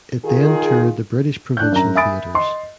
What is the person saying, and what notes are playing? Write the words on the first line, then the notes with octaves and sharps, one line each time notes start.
It then toured the British provincial theatres.
D#3 F4 G#4
D4 F#6 G6
F#2 A#5
E5 G#5 B5 D#6 A6 D7
D#5 C6